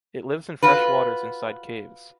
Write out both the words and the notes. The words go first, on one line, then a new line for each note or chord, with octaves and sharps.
It lives in fresh waters inside caves.
F4 F#4 B4